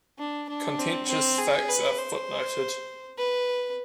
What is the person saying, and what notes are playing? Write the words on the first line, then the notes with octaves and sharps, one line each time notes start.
Contentious facts are footnoted.
D4
D4
C4
C4
G#4
B4
C5
B4